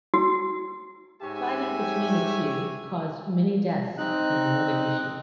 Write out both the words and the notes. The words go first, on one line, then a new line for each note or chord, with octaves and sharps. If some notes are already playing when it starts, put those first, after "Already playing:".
Fighting between the two caused many deaths in Mogadishu.
F#4
G#2 G4 C#5 E5 G#5
C4 D#4 F#6